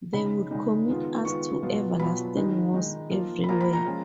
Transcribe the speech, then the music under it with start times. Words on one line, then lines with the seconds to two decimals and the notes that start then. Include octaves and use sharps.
They would commit us to everlasting wars everywhere.
0.13 C#3 G#3 D#4 B5
0.51 C#3 G#3 D#4
0.88 D#3 G#3 B3 F4
1.25 D#3 G#3 B3 F4 C#6
1.62 B2 F#3 B3 F4
1.99 B2 F#3 B3 F4 B5
2.37 D#3 G#3 D#4
2.74 D#3 G#3 D#4
3.11 F3 A#3 F4
3.44 B5
3.49 F3 A#3 F4 A#5
3.61 B5
3.73 A#5
3.85 F3 G#3 C#4 F4